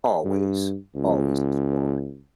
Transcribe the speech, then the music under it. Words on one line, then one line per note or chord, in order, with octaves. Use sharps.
Always, always exploring.
G2
C#2